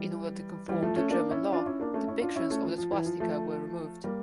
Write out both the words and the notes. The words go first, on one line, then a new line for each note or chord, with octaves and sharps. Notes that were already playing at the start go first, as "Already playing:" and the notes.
In order to conform to German law, depictions of the swastika were removed.
Already playing: E3 G3
E3 G3
F3 A3
A3 C#4
A#3 D4
C#4 E4
D4 F4
C#4 E4
A#3 D4
A3 C#4
C#4 E4
D4 F4
C#4 E4
A3 C#4
F3
F3
E3
F3
F3 A3
G3 A#3